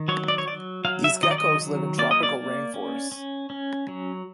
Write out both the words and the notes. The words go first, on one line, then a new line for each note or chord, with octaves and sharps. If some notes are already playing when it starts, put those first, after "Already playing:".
These geckos live in tropical rain forests.
Already playing: D#3
F#3 C#5
D5
C#5
F#3 D5
F#3 F5
E5
D#3 D#5
D5
D#5
F#3
A#3 D5
D#5
D5
A#3
C#4
C#4
C#4
F#3